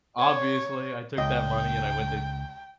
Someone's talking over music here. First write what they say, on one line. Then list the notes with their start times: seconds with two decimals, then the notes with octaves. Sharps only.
obviously, I took that money and I went to
0.19 C#5
1.18 C#2 D#5 G5